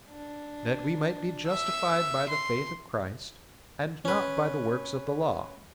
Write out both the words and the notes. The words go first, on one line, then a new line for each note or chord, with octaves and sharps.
That we might be justified by the faith of Christ, and not by the works of the Law.
D4
E5 E6
C6
C#4 B4